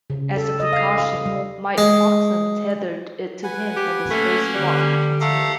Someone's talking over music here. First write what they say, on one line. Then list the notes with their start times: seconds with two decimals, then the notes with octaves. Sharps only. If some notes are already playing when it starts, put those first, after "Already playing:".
As a precaution, Mike Fossum tethered it to him and the spacewalk continued.
0.10 C#3
0.37 A4
0.60 D#5
0.73 F5
0.98 F5
1.26 G3
1.78 G#3
3.44 B4 F#5 G#5
3.76 G4
4.10 A3 A#3 C#4
4.55 D3 G3
5.21 A3 G4 A4 F5 F#5 A#5